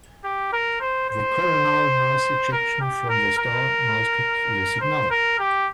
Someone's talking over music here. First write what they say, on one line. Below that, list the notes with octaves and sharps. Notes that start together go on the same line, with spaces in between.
The coronal mass ejection from the star masked the signal.
G4
A#4
C5
C5
A#4
G4
A#4
A#4
C5
A#4
G4